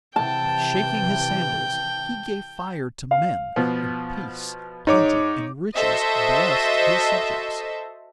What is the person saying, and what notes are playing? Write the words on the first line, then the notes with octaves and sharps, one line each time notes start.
By shaking his sandals he gave fire to men, and peace, plenty, and riches blessed his subjects.
C3 E3 G5 A5
F5
B2 F3 B3
G#2 D#4 C#5 D6
F#4 A4 C5 D#5 E5